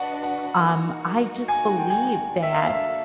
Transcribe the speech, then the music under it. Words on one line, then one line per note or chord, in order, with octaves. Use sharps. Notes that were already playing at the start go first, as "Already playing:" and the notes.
Um, I just believe that
Already playing: D4 F#4 B4 D#5 F#5
F#5
A#3 D#4 F#4
G#5
G5
G#5
A#3 D4 F#4 A4
E5
F5
E5